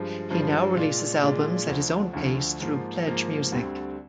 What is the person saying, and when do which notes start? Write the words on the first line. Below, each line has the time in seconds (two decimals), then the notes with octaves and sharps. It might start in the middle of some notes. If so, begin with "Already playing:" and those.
He now releases albums at his own pace through PledgeMusic.
Already playing: G2 F3 G#3
0.30 G2 F3 G#3
0.76 A#2 G#3 D4 F4
1.21 A#2 G#3 D4 F4
1.67 D2 D3 F3
2.13 D2 D3 F3
2.60 G#2 F3 A#3
3.06 G#2 F3 A#3
3.52 D2 D3 G3 C4